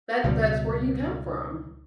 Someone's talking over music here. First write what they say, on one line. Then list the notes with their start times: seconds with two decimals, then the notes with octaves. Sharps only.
That that's where you come from,
0.24 C#2 B2 G3